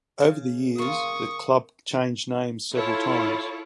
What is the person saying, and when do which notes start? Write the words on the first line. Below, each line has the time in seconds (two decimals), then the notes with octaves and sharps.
Over the years, the club changed names several times.
0.20 C#3
0.78 A#3 F4 C#6 D#6
2.74 E4 F4 A4 C#5